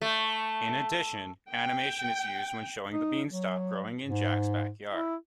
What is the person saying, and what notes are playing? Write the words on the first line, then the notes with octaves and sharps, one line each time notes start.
In addition, animation is used when showing the beanstalk growing in Jack's backyard.
A3
G5
D#4
F#3
G#2
E4